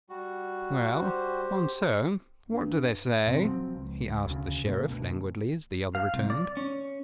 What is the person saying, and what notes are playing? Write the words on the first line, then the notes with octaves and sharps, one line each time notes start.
"Well, Monceux, what do they say?" he asked the Sheriff, languidly, as the other returned.
G3 F#4
G4 C5
G2
A2 C3 C4
F3 F#3 C4
C#2
D2 C#3
G2 B2 A3 A#3
D2 B2
F5
C2
D5
C#4